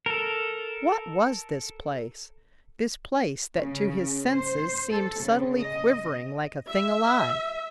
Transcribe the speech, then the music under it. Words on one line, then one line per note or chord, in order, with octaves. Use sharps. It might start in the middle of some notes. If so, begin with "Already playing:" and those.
What was this place?--this place that to his senses seemed subtly quivering like a thing alive?
A4 A#4
C#3
C5
A4
C#3
D#5
E5